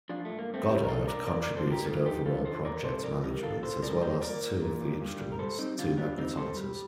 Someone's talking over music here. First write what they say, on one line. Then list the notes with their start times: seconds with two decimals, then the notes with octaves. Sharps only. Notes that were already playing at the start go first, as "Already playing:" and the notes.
Goddard contributed overall project management as well as two of the instruments, two magnetometers.
0.09 F3 D4 F4
0.25 G2 A3
0.39 A#3
0.49 G2 A3 C4
0.68 G2 G4 A#4
0.84 A#4
0.88 F3 A4 C5
1.07 G2 A#4 D5
1.27 F3 A#4 D5
1.42 G2 A#4 D5
1.56 A4 C5
1.66 G2 A4
1.72 G4 A#4
1.86 G2 F4 A4
2.06 F3 D#4 G4
2.25 D3 F4 A4
2.45 D#3 A4 C5
2.64 D#3 A#4 D5
2.84 C3 A4 C5
3.04 F2 A#4 D5
3.23 F2 G4 A#4
3.43 D#3 F4 A4
3.62 A#2 A4 C5
3.82 G3 A#4 D5
4.02 A#2 C5 D#5
4.21 A#2 A#4 D5
4.41 A#2
4.61 A#2
4.80 G2
5.00 G2
5.20 G3
5.32 A#4
5.39 G3 A4 C5
5.58 G3 C4 D#4
5.78 D#3 D4 F4
5.97 G3 D4 F4
6.17 G3 C4 D#4
6.37 G3 A4 C5
6.57 G3